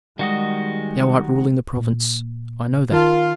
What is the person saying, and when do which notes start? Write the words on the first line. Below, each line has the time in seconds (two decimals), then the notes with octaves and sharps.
Thou art ruling the province--I know that.
0.19 D#3 G3 G#3 F#4 D#5
1.77 A#2
2.91 D#3 F4 A#4 A5